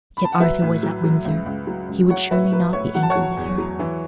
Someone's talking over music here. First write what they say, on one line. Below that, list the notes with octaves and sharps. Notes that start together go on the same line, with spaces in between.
Yet Arthur was at Windsor; he would surely not be angry with her.
B5
A5
F#5
F#3 B4 E5
A2
F#3
F#3
C#2
C#2
F#3
C#2
F#3 C#5 F#5
A2 B4 E5
F#3 B4
A2 C#5
F#3 F#5
A5
C#5 F#5
F#3
E2
F#3
E3